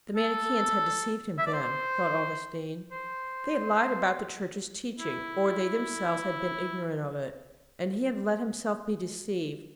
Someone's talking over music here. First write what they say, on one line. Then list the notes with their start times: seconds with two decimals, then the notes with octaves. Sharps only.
The Manicheans had deceived him, then, thought Augustine; they had lied about the Church's teaching; or they themselves had been ignorant of it, and he had let himself be deceived.
0.16 A4
1.38 E5
1.46 D5
1.54 C5
2.92 C5
4.99 E4